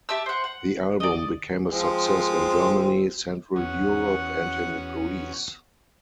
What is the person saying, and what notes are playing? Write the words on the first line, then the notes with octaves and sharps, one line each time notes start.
The album became a success in Germany, central Europe and in Greece.
G4 E5 A5 E6
C5 F#5
F#5
D5 D#5
F3 G#3 C4
E2 C#4 F#4 F#5